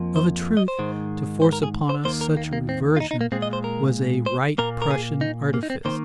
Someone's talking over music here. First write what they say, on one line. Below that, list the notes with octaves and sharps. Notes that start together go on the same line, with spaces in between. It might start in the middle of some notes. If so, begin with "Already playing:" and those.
Of a truth, to force upon us such a reversion was a right Prussian artifice.
Already playing: F2 F3 A#3
C5
D#5
C5
G#2 D#3 G#3
C5
A#4
G#4
C5
D#2 D#3 A#3 C5
A#4
A#3
A#3
C4
F4
D#4
D#4
A#3
A#2 G#3 C4
D#5
C5
A#4
C5
A#2 A#3 A#4
A#4
G#4
D#4
A#3
D#4
C4
C3 D#3 A#3 C5